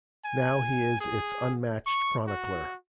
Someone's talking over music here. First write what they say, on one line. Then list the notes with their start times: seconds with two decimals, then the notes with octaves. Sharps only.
Now he is its unmatched chronicler.
0.24 G#5
1.00 G#4
1.86 C#6
2.27 F#4